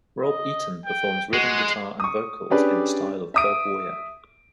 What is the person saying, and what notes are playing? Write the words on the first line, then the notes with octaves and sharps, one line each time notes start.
Rob Eaton performs rhythm guitar and vocals in the style of Bob Weir.
D#5
G5
G#3 F#4
C#6 D#6
C#4 D4 G4 G#4 B4 D5
E5 D#6 D7